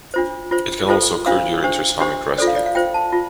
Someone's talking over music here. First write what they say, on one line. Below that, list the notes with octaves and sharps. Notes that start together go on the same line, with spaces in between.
It can also occur during trisomic rescue.
D4 F4 C5
F4 C5
F4 A4 C5
D4 F4 C5 F5
D4 G4 C5
D4 G4 C5
F4 A4 C5 D5
F5
D5
F5
F4 C5 G5
A5
F4